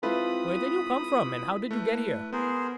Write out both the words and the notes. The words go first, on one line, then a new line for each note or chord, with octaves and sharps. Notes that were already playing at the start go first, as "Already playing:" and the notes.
"Where did you come from and how did you get here?"
G#3 C4 E4 F4 A4 B4 B5 D#6
A3 B4
B3 G#4 A#4 C5